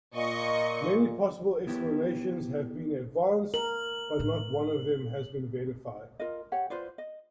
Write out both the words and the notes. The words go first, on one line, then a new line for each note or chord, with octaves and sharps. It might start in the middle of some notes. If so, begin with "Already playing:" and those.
Many possible explanations have been advanced, but not one of them has been verified.
A#2 D#5 C#6
B3 E4 G4 B4 C#5
A#4 F#7
A2 E4
F4 A#4 D#5
G4 C#5 F#5
F4 B4 C5 D5
D#5